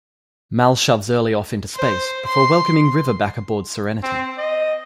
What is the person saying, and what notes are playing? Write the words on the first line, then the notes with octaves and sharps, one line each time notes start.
Mal shoves Early off into space, before welcoming River back aboard "Serenity".
C5
C6
C4
D#5